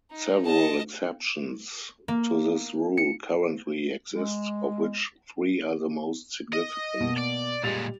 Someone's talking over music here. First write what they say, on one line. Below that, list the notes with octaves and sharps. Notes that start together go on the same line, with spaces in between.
Several exceptions to this rule currently exist, of which three are the most significant.
D#4
D#5 A5
A#3
C#7
G#3
D#5
B2 A#3
D5
A#2 G3 G#3 A6 F7